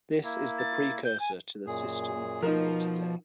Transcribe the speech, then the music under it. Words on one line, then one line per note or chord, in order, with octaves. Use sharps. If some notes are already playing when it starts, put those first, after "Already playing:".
This is the precursor to the system we know today.
A#3 E4
A6
G6
G#5
F#2 A#2 G#4
B2 F3 D#4 A#4